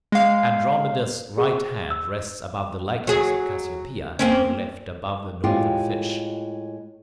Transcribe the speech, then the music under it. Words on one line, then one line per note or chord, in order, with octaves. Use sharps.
Andromeda's right hand rests above the likeness of Cassiopea, and her left above the Northern Fish.
G#3 F5
G#4
E6
F#3 G#4
A#3 C4 C#4
A2 G#3 F4 G4